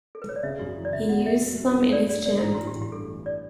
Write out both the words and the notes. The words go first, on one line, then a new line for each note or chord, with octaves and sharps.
He used them in his gym.
A4
B4
C#5
D5
C#3 E5
F#2
E3
D5
C#3 E5
B3 F#5
F#5
F#2 E5
F#3
F#3
G2
A3 D5
G2 D5
A3 D5
D4
A1 E4
F#4
A1
G4
A1
G4
G2 A4
E3
D5